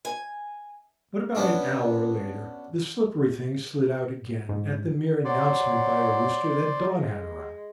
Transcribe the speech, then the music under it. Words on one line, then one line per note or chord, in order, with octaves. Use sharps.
But about an hour later the slippery thing slid out again at the mere announcement by a rooster that dawn had arrived.
G#5
B3 C#4 D4 F#4
G#2
F#3 C5 D5
G#3